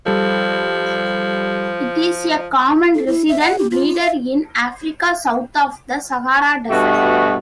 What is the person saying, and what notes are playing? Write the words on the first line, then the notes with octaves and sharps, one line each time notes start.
It is a common resident breeder in Africa south of the Sahara Desert.
F3 G3 A4
A4
E4
E5
F#5
G4
F4
E5
G2 B2 A3 F#4